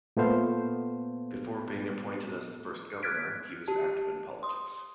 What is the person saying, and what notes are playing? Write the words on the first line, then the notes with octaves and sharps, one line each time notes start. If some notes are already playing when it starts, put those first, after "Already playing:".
Before being appointed as the first Governor, he was active in politics.
A#2 A3 B3 A4 C5 F5
F6 F#6 G#6 A6 B6 D7
G4 A5
C6 D#6